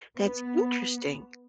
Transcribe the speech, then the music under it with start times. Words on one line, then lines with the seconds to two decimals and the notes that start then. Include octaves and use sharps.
That's interesting.
0.18 B3